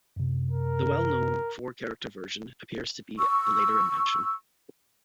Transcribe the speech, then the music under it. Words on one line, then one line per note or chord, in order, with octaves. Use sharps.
The well-known four-character version appears to be a later invention.
F#2 C3
A#4
C#6 E6